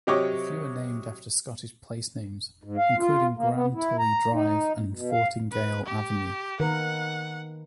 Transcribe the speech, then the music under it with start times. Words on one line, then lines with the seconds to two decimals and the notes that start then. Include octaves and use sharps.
A few are named after Scottish placenames, including Grandtully Drive and Fortingall Avenue.
0.07 C3 F#3 G4 C#5 D#5 D6
2.64 G#2
2.77 F5
2.98 F4
3.37 A#3
3.53 B3
3.75 E4
3.99 A#5
4.33 D#4
4.94 B2
5.12 F5
5.51 B4
5.86 G4
6.60 D#3 A#4 B4 F#5